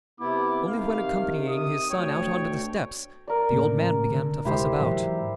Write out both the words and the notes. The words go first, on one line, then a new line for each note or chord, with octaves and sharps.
Only when accompanying his son out on to the steps, the old man began to fuss about.
C3 B3 E4 D6
C3 D#3 F5
D#6
D2 B2 C#5 G5
A#4 D5
A2 C#3 A#3
D3
D1 C3 G#3 E4 G4 C5
G#2 E3 F#3